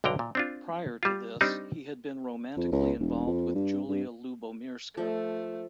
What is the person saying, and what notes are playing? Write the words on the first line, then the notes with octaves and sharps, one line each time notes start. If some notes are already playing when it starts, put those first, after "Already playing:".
Prior to this, he had been romantically involved with Julia Lubomirska.
B1 G2 D3 G5 A#5
A#2
C4 D4 F4
G3 F4
G3 C4 D4 D#4
F2
C#2
E1
F2
G2
G2
F3 A3 A4